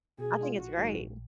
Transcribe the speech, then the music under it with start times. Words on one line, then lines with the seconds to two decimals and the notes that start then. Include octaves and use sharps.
I think it's great.
0.19 B2 G#4
0.39 G#3 D4 F4
0.58 A#1 F#4
0.78 G#2 D#3 F#3
0.97 A#1